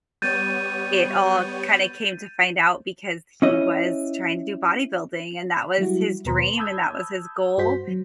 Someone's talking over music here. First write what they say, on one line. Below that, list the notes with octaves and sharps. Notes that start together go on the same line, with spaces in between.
it all kinda came to find out, because he was trying to do bodybuilding; and that was his dream and that was his goal,
G3 B3 C#5 G6 A6 D#7
C#4 E4 D#5
F#3 G3 E4 F#4
D#2 B2 B4 A#5 C6
A5 B5 D#6 E6 G6 G#6
G2 F#4 C5 G6 B6
F#3